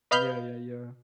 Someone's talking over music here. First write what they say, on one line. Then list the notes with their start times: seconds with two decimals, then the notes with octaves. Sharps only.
Yeah, yeah, yeah.
0.11 B4 D#5 F5 B5 F6 G6